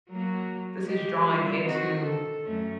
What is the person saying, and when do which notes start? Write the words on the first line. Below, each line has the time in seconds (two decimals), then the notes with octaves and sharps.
this is drawing into
0.10 F#3 A#3 F#4
0.83 G#3 G4
1.26 G3 E4 F4
1.64 D#3 C4 F#4
2.01 A4
2.44 F#2 A3 C#4